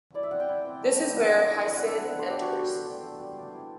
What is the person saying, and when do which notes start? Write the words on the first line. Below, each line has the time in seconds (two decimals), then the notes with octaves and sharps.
This is where Hesiod enters.
0.14 E4 D5
0.23 E5
0.31 C4 F#5
0.40 G5
0.48 E4
0.65 C4
0.83 A3
0.99 E4
1.16 G3 F#5
1.34 D4
1.51 E4
1.68 C4
1.77 F#5
1.84 D4 E5
2.01 B3
2.19 D4 C5
2.30 G4
2.36 A3
2.41 F#4
2.52 A3 G4
2.70 D4
2.86 D4
3.03 A3
3.20 G3
3.38 D4
3.54 E4